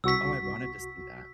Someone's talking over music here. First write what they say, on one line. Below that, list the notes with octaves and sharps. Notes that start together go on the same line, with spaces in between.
Oh, I wanted to see that.
C2 F#4 C#6 E6 B6